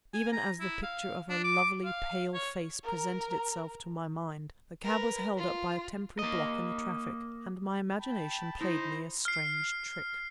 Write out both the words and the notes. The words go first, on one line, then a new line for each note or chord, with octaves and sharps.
Even as the picture of her lovely, pale face presented itself to my mind, the cab was held up by a temporary block in the traffic--and my imagination played me a strange trick.
G#5
A#5
E4
F5
D4
D6
F5
C#5
A#4 A#5
A#4 B4
F4
A#3 D#5
G5 A5 B5
D#4 E4 C5
F6 C7